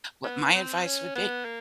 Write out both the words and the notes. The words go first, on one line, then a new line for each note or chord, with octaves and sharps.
What my advice would be,
B3
C4
C#4
B3
A#3